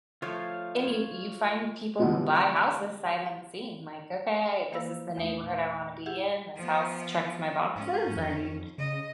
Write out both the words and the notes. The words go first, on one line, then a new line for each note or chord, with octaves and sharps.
and you you find people who buy houses sight unseen, like, "Okay. This is the neighborhood I wanna be in. This house checks my boxes, and
F3 A3 F4 C#5 F5
D3 E3 F3 G3 G#3 B3
E3 A#3 C5 F5 B5 E6
E2 A3 D#4
A#2
E4 G4 G#4 E5 F#5
F3 B3
G#2 C#4
F2
C#3 D#5